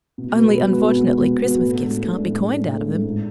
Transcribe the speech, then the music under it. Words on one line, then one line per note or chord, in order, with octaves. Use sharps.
"Only, unfortunately, Christmas gifts can't be coined out of them."
B2
G#3 B3 F#4 B4
B2
G#3 B3 F#4 B4
B2
G#3 B3 F#4 B4
B2
G#3 B3 F#4 B4
A2
G#3 D4
A2
G#3 D4
A2
G#3 D4
A2
G#3 D4
G#2